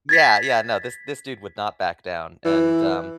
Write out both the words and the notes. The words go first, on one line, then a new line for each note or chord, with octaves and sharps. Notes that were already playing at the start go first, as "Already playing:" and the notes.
Yeah, yeah, no, this this dude would not back down, and, um
G#6 A6 B6
E3